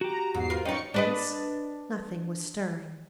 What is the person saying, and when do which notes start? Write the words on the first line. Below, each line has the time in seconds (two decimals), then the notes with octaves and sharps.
Hence nothing was stirring.
0.01 F#4 G4 A#5
0.34 E2 G#2 C7
0.50 F4 A#4 C5
0.65 C#4 D#4 B4 D5 D#5 G5 C#6 C#7
0.94 D4 B4 D#5